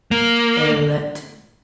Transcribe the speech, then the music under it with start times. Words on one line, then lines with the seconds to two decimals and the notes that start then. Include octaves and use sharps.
Bell et.
0.11 A#3